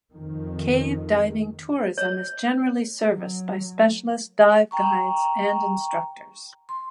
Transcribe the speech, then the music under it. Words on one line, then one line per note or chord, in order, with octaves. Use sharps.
Cave diving tourism is generally serviced by specialist dive guides and instructors.
F2 D#3
C#5
F#3
G5 A#5 C#6
C6